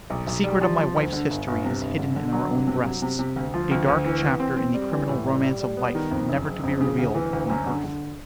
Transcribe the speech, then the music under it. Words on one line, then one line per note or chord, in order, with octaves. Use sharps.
The secret of my wife's history is hidden in our own breasts--a dark chapter in the criminal romance of life, never to be revealed upon earth.
B1
B1
G3
F3
F3
D2
D3
G1
G1
C3
G1
D3
D3
F#3
G2
C3
F#3
C3
C3
D2
F3
D2
D2
E3
E3
C4
C4
G3
E3
A2
G3
G3
G3
B3
D#3
F2
F#1
F#1
F2
C#3
D2
E3
D2
F#2
D3
D3